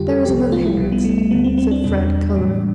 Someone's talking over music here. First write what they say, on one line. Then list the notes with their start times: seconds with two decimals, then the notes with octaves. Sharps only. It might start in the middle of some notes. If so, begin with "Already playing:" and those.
"But there is another hindrance," said Fred, coloring.
Already playing: F2 D3 G3 F4 G4
0.09 A4
0.25 C2 C3 F3 G4
0.52 F4
0.65 E4
0.78 C2 B2 G3
0.92 B3
1.04 A3
1.18 A3
1.31 D2 D3 G3 B3
1.44 C4
1.58 C4
1.71 D4
1.84 E2 B2 G3 D4
2.36 A2 E3 G3